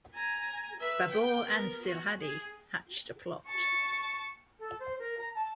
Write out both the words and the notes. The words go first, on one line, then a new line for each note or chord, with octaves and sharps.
Babur and Silhadi hatched a plot.
G#5 A#5
B4 E5
G5
B3 A#4
F#4
G#4
A5 C#6
A4
C5
A#4
A#5
A5